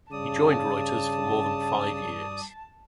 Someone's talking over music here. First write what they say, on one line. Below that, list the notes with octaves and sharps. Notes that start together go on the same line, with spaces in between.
He joined Reuters for more than five years.
G2 C#3 D5 A5 D#6